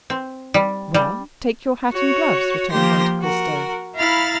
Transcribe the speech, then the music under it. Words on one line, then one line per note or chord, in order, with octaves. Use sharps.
"Well, take your hat and gloves," returned Monte Cristo.
C4
G3
G3
F#4 C#5
F3 A#3 G4 C6 A#6
F#4 A#4
E4 F5 A#5 B5 F6 A6